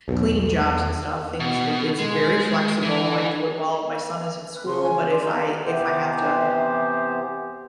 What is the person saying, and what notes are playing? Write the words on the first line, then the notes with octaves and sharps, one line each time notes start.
cleaning jobs and stuff, things i it's very flexible. I do it while my son is in school, but if I if I have to,
B1 E2
B2
G#3
E3
B4
C#3 C6
G#5
D5 C6
D#4 A#5
C3 E3 B3 G4 C5